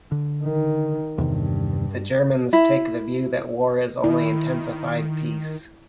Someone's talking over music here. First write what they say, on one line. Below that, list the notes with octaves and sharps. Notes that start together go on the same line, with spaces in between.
The Germans take the view that war is only intensified peace.
D3
D#3
E2 G2 C3 D#3
E4
D#3 E4